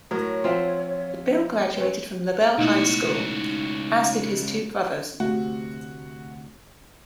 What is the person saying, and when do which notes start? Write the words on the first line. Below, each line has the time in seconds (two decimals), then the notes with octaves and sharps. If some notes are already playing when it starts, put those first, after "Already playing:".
Bill graduated from LaBelle High School, as did his two brothers.
0.11 A2 F#3 A#4 C#5
0.44 F3 C4 F4 E5 F#5
1.76 C4 C#4 B4
2.58 C#2 B2 A3 D#4 E4 F#4
5.20 D2 C3 A3 F#4